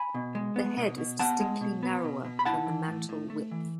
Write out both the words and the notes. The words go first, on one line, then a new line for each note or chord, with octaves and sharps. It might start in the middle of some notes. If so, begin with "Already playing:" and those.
The head is distinctly narrower than the mantle width.
Already playing: G#5 B5
B2
G#3
B3
B2
B2
B3 F#5 A5
G#3
B2
B3
B2
B2
B5
E4 F#5 A5
E3
A2
A2
A3
E3